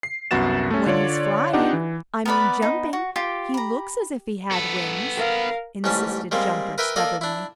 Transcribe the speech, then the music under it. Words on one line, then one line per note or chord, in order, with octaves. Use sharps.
"When he's flying, I mean jumping, he looks as if he had wings," insisted Jumper stubbornly.
C7
C2 F#2 B3 F#4 A6 E7
A3 C#4
D3 F4 C#5 D5
D4 D#4 F4 G4 D5 F#5
E3
B3 A#4 B4 D5 B5
D#4
F#4
F4 G4
A#5 B5
B3 A4
A#4 F5
A1 G#2 G3 C#4 A5
G3 G#3 A#3 C4
A#4 B4 E5 G5 G#5
A#3 A4 D5 D#5
D4 E4